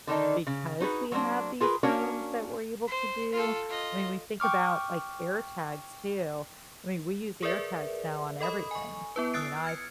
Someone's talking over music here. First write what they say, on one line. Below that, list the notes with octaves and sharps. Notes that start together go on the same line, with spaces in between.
because we have these phones that we're able to do. I mean, we think about, like, AirTags, too. I mean, we use AirTags now on everything. I mean, I
D3 D#3 D4 D#4
C#3
D#4 F#4 G#4 B4
F#3 A#3 C4 D4
F4 G#4 A#4 B4
A#3 C#4 D4 F#4 A#4 C#5
C5
F4 A4
F4 D#5
G5 C#6 D6 F6
G#4 A#4 B4 D5 E5
A4 D#5 B5 D#6
G#5 C#6
B3 E4 B4
D#6 E6 F#6 A6 C7 D7
F6 G#6 C#7